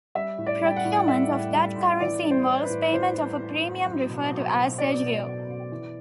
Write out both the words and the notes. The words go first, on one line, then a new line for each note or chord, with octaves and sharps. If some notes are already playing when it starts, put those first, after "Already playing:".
Procurement of that currency involves payment of a premium referred to as agio.
G3 E5
A2
D5
G3 G5
F#5
A2
G3 E5
A2
G3
A2
E3 D5
G3
C5
A2
B4
A2
E3 C5
G3
A2
A2
F#3
B2
F#3
B2
F#3 D5
B2
F#3
B2
E3